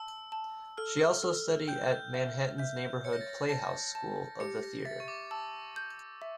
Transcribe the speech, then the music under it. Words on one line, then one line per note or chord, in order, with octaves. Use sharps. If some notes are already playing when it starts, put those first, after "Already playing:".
She also studied at Manhattan's Neighborhood Playhouse School of the Theatre.
Already playing: A5 E6
A5
A4 F6
A4
G5 G6
E5
E5 G6
C#5 C#7
A#6
A6
A#6
A5 A#6
A5
G4 C#7
A#6
E5 A6
C#6
D6
A5 E6
G6
E5